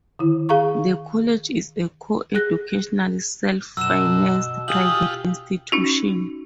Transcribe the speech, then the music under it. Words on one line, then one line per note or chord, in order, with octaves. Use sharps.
The college is a co-educational self-financed private institution.
D3 D#3 E4
G#4 F5 A#5 C#6
G#4 F#6 A#6
F#2 B2 E6 E7
F4 G4 G#4 D#6 F#7
C#4 D#4 F#4